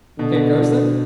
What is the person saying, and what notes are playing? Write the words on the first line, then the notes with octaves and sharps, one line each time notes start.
Here goes then ...
B2 D3
B2
B2